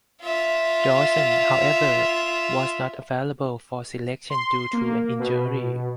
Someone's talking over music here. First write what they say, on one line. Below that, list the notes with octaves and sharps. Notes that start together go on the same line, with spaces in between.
Dawson however was not available for selection due to an injury.
F4 E5
C6
A#3
B2